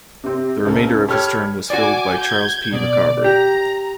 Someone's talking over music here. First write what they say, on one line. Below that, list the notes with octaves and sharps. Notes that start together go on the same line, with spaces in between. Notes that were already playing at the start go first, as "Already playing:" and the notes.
The remainder of his term was filled by Charles P. McCarver.
C3 C4
C#2 C4 A4 A#4
G4 A4 C#5 B5 F6 G#6
F#4 D5 G#5 D6
G6 G#6
B2 D5
G4 A#5